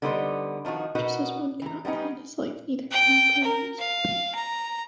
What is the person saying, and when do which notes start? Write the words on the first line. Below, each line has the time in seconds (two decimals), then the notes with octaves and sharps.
Just as one cannot plan his life, neither can he plan music.
0.02 D3 G3 B3 D#4 B4 C5
0.65 D#3 F3 D#4 F#4
0.95 B2 D#4 F#4 A#4 B4 F#5
1.62 E3 A#5
1.85 G3 B3 C#4 D#4
2.91 G5
3.44 A#4
3.79 F5
4.35 A#5